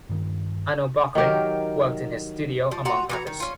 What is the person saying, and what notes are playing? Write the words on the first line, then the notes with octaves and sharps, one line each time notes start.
Arnold Böcklin worked in his studio, among others.
G2 D#3
D#3 F#3 G4 A#4
F3
F4 F#4 F#5 A#5
E3 F#4 A#5
D#3
C#4 F4